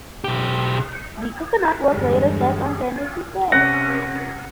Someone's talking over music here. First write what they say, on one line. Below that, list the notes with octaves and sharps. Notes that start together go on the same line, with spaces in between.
The coconut was later kept on Kennedy's desk.
B1 G4
E2 G2 D3 G3 G#3
C3 C#4 F#5 A#6